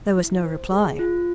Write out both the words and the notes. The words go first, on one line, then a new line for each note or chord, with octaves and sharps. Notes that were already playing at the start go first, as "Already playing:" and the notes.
There was no reply.
E4
C5
G#4
F4